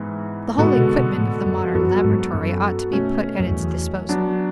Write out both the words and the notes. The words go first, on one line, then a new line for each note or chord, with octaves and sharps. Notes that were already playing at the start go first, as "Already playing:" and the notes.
The whole equipment of the modern laboratory ought to be put at its disposal.
Already playing: G#2 E3 B3
A2 D3 G#3 B3 F#4 A4
B2
B2
A2
F#2
F#2 F#3 B3 F#4 A4
G#2
F#2
B2 A3 C#4
F#2
E2
F#3 B3 D4